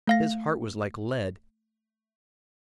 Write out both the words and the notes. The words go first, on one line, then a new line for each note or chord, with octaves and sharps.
His heart was like lead.
A3 F5 A#6